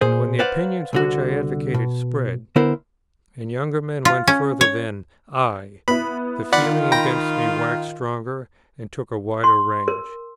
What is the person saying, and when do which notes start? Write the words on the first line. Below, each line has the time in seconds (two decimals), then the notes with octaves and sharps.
And when the opinions which I advocated spread, and younger men went further than I, the feeling against me waxed stronger and took a wider range.
0.01 A#2 G#4 C5
0.39 B4 C5 D5 F5 F#5
0.93 C2 D3 F#4
1.74 B2
2.56 D3 B3 E4 A#4 C5
4.05 F4
4.28 C#4
4.61 C#5
5.88 B3 E4 B5
6.53 D#3 F4 D5 F#5 B5
6.92 G5 B5 A#6
9.44 C6
9.88 A#4